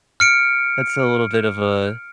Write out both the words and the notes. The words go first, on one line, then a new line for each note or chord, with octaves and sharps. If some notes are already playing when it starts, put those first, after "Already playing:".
That's a little bit of a,
F6 C#7 D7